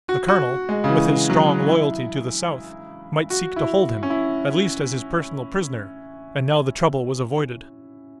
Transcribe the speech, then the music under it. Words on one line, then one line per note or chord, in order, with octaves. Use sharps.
The colonel, with his strong loyalty to the South, might seek to hold him, at least as his personal prisoner, and now the trouble was avoided.
F#4
F#4
G#3
C#3
E3
F#3
E4
F#4
E4
C#4
E4